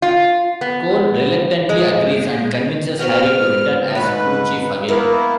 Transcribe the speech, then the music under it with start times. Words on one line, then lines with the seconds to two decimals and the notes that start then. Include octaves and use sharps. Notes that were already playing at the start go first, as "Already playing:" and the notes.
Cole reluctantly agrees and convinces Harry to return as crew chief again.
0.02 F4
0.61 B3
1.69 G#3
2.99 B3 F#4 C5 F6
3.95 D2 G#2 D#3 B4
4.88 A#3 B3 E4 A#4 B4